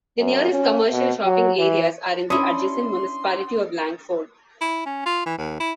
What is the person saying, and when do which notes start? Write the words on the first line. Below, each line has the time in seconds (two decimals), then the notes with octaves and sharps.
The nearest commercial shopping areas are in the adjacent municipality of Langford.
0.19 F#2
0.52 C#4
0.92 B2
1.24 F#3
1.59 E3
2.30 C#4 D4 E4 C6 D#6
4.61 E4
4.86 C#4
5.06 F4
5.26 E3
5.38 D#2
5.60 E4